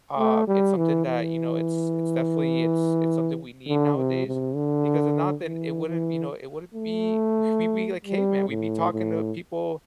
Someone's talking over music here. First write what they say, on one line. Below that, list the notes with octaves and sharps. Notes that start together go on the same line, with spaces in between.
um, it's something that, you know, it's it's definitely it's it's something we need nowadays, because if not, then, it wouldn't, you know it wouldn't be we we we'd be like caveman, we'd be talking to people,
A3
G3
E3
E3
D3
C3
C3
D3
E3
E3
A3
G3
A2
A2